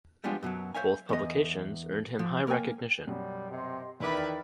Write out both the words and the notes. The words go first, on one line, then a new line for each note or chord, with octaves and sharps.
Both publications earned him high recognition.
F3 G3 G#3 B3 D4 F4
F#2 B2 E3 F#3
C5 C#5 E5 F5 G#5
E2 B3 D#5
F3
A#3 A#4 C#5 G5 G#5
F#2 B2 G3
C3 G4 D#5 C6
E2 D#3 E4 B4 D5 G5 D6 F6